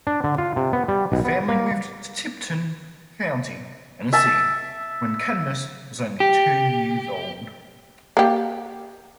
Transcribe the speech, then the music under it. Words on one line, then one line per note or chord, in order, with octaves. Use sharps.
The family moved to Tipton County, Tennessee, when Cadmus was only two years old.
D4
D3
F4
C3
B3
G3
B1
B3
A#3
E5 A5
G4
A#3 G4